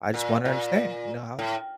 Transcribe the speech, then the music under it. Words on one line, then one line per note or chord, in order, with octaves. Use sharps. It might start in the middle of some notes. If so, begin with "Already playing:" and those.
I just wanna understand, you know, how
A#2
A#2
A2